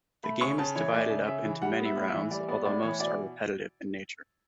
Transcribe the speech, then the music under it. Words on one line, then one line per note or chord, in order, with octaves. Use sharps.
The game is divided up into many rounds, although most are repetitive in nature.
A3 B5
C#3 C#6
C#3 A5
E3 C#5
A3 D5
C#3
C#3 E5
E3
G3 F#5
B3
E5
A2
E5
E3
G3 D5
B3 D5
A2 D5
E3 C#5
B2 D5